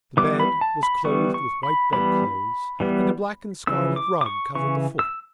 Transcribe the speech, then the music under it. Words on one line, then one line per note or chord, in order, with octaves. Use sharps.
The bed was clothed with white bedclothes and a black and scarlet rug covered the foot.
E3 G3 B3 D6
B5
A5
B5
E3 G3 B3 C#6
C#6
B5
E3 G3 B3 B5
E3 G3 B3
C#3 E3 E6
D6
D6
C#6
C#3 E3 C#6
E6